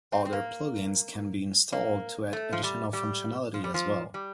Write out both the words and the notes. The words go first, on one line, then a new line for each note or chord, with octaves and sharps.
Other plugins can be installed to add additional functionality as well.
C4
C4
A#3
A#3
A3
F3
G3
G3
F3
G3
F3
G3